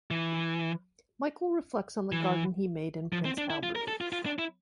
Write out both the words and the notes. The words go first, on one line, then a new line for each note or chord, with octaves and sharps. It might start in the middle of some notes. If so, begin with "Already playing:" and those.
Michael reflects on the garden he made in Prince Albert.
E3
E3
F3
C4
D4
E4
F4
A#4
A4
F4
F4
D4
E4